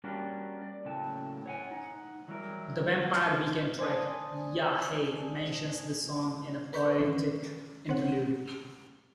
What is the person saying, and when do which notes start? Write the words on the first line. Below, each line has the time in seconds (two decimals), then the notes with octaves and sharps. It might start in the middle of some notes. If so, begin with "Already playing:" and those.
The Vampire Weekend track "Ya Hey" mentions this song in a poetic interlude.
0.04 G3 A#3 C#4 D4 F4 F#4
0.62 D5
0.85 A2 C#3 F#3 A#3 G5 A5
1.46 C#5 F#5 G#5
1.71 D#4 F#5
2.28 E3 F#3 G3 E4 G#4 A#4
3.79 C5 D5 G#5 A5 D#6
6.73 A#4 B4 C#6 G6
6.99 D#3 E3 C#4
7.89 C4 C#5 F#5